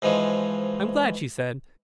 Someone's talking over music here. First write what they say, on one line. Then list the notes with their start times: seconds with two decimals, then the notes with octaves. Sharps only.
"I'm glad," she said.
0.02 G#2 E3 F3 G#3